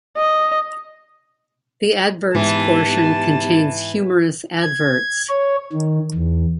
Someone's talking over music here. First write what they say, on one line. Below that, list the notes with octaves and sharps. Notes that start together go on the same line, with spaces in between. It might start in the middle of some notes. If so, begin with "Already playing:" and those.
The "Adverts" portion contains humorous adverts.
D#5
G#2 E3 B3 D#4 G4 A5
G#6
C#5
D#3
E2